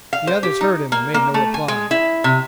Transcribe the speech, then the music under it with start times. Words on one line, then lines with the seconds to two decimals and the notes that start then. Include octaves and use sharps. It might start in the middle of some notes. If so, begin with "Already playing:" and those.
The others heard him and made no reply.
0.13 F5
0.27 C5
0.43 G4
0.61 D#4
0.92 A#3
1.14 A#3
1.34 A3
1.54 G#5
1.68 G#3
1.91 E4
2.24 C3